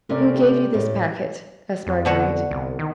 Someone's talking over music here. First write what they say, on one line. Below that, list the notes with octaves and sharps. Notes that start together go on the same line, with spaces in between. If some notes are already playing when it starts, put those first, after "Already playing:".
"Who gave you this packet?" asked Marguerite.
C3 A3 C#4 A#4 D5
G4
A2
F2
B2 D3 F#4
C2
D#3